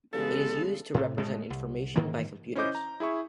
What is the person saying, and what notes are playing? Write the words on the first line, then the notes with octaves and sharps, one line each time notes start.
It is used to represent information by computers.
E2 G2 C#3 G#3 B3 A4
A2 C3
A2 G#3 A3
C2
G#2 D#3 E3 A#3
C#4 E4 C5 D#5 D6 G6
A#5
E4 G#4 E5 C#6